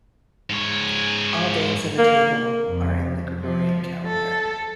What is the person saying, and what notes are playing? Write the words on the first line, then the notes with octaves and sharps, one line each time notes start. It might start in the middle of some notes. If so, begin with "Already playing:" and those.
All dates in the table are in the Gregorian calendar.
G#2 C#5
A#3
F2
F3
A4